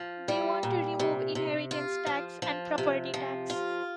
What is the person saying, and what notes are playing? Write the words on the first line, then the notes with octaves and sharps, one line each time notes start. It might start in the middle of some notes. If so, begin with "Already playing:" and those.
They want to remove inheritance tax and property tax.
Already playing: F3
G3
A#2
C3
C3
F4
F3
F3
C3
F3
F4